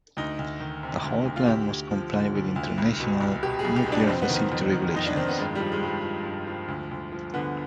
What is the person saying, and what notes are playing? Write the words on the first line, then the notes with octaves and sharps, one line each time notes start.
The whole plant must comply with international nuclear facility regulations.
D2 D#4
D2
D#3
C3
D2
D2
F4
D2 G4
D2
F3
D3
D2
D2
C2
B2
C2
B2 G4
G#4
C2
G4
B2
D4
F2 C4
B3
D#3
C4
F2
D#3
F2 D#4
D4
D#3 C4
B3
G2 G#3
F3 G3
G#3
G2 G#3
F3
G2
F3
D2
D2
F3
D3 B3